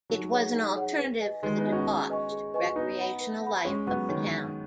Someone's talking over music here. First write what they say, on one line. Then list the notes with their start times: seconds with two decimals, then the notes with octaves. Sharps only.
It was "an alternative for the 'debauched' recreational life of the town".
0.10 F#3 D#4
0.32 G#4 C#5 F#5
0.54 D#4
0.76 G#4 C#5 F#5
0.98 B4
1.21 D#5 G#5
1.43 D#3 G#3 B4
1.57 B3 D#4
1.65 D#5 G#5
1.72 C#4 F#4
1.87 G#4
2.09 B4 D#5 G#5 C#6
2.32 G#4
2.54 B4 D#5 G#5 C#6
2.62 F#4
2.76 B3 D#4 B4
2.99 F#5 B5
3.21 B4
3.42 F#5 B5
3.65 G#3 C#4 C#5
3.87 F#3 B3 F#5 C#6
4.09 D#3 G#3 C#5